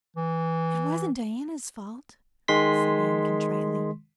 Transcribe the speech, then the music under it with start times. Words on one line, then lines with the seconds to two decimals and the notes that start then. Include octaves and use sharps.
"It wasn't Diana's fault," said Anne contritely.
0.17 E3
2.48 D#3 G#3 C6 B6